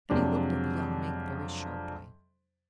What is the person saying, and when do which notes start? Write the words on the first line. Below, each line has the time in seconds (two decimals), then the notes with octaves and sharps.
Then he looked at the young Mink very sharply.
0.10 F2 C3 F#3 G#3 D4